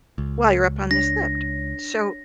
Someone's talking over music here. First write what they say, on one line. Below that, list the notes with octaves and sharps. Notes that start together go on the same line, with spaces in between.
while you're up on this lift So,
C#2
D4 C#5 A#6